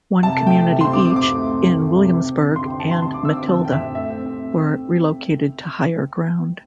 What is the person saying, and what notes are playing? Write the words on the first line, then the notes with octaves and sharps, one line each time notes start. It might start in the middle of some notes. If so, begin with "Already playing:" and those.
One community each in Williamsburgh and Matilda were relocated to higher ground.
C3 A5
A3
G5
C3
C3
C4 C6
D6
C3
D6
C4 D6
A3
C3
C4
A3
C3
C4
C4
D3
D3 C6
G5
C4
A5
C4 C6
D3 C6
D3 D6
E6
C4 D6
D3 A5
D3 G5
E5
C4
A3 E5
C4
C4